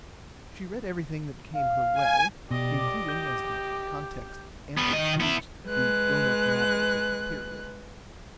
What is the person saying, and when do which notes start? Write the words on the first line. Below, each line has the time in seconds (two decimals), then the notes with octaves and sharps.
She read everything that came her way, including, as the context amply proves, the grown-up novels of the period.
1.55 F5
1.93 G#5
2.51 B2 G4 D5 D#5 D6
3.08 G4 G6
4.77 G3 B3
4.93 D#3 D#5
5.20 B3 E4
5.67 G#3 B4 F#6